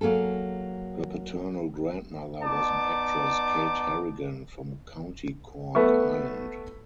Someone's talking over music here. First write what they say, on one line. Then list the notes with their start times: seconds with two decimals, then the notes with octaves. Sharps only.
Her paternal grandmother was an actress, Kate Harrigan, from County Cork, Ireland.
0.01 F#3 A#3 G#4 A4
2.42 B3 D#4 D5 A5 D6
5.75 A3 B3 E5 C#6